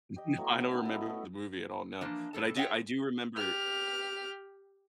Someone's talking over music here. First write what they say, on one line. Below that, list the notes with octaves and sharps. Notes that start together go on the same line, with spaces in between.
No. I don't remember the movie at all, no. But, I do I do remember
G4 D#5
F#3 A3 B3 E4
D#3 C#4
E4 D#5
A3 B3
E3 F3 A#3 D4
G2 A4 A5
F4 G#4 C#5 E5 F#5 G5
G4 F6